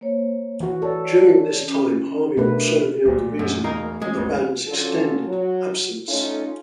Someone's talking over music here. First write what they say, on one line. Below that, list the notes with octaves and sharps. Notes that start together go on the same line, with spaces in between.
During this time Harvey also revealed the reason for the band's extended absence.
A#3 C5 C#5
E3 F#4
A4 C#5 D5 A5
C#4
B2 A3 D4 A#4 B4
B1 A#2 E3 A3
F#2
E1 A#3 D#4 A#4
G#3 C#4
E1 A1 B3
D3 F#3 C#4 F4 A4
F#3
A3 C#4 D#4 F4 A4